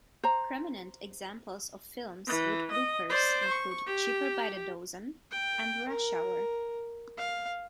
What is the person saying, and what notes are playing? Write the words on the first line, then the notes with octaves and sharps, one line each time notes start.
Prominent examples of films with bloopers include "Cheaper By the Dozen" and "Rush Hour".
C5 A#5
E3
D#5
C5 D5
C#6
G4
G5
A#4
F5